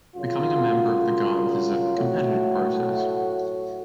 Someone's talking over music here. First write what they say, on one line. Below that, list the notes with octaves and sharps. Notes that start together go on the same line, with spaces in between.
Becoming a member of the Guards is a competitive process.
F#2 C#3 F#3 F4
A2 F#3 A3 F#4